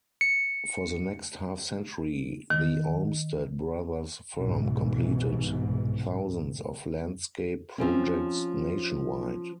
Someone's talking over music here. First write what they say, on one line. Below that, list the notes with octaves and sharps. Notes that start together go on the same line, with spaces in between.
For the next half-century, the Olmsted brothers' firm completed thousands of landscape projects nationwide.
C#7
D#3
C2 G#2 B2 E3
F3 C4 C#4